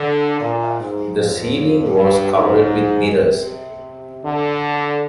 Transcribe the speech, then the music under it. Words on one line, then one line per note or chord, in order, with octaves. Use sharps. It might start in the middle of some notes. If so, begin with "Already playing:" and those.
The ceiling was covered with mirrors.
Already playing: D3
A#2
G#2
F2
G2
G#2
C3
D3